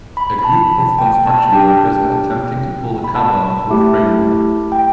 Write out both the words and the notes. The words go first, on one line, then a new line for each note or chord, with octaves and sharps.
A group of construction workers are attempting to pull a cover onto a framework.
B5
B5
A5
A5
G5
A5
A5
D4 G4 G5
B5
A5
A3 E4 G4
G5